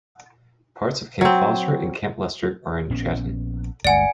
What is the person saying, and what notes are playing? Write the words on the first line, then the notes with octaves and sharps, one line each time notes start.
Parts of Camp Foster and Camp Lester are in Chatan.
F#3 C4
A#1 B3 C#4
G1 D2 G#3 D5 F#5 G#5 C#7 D7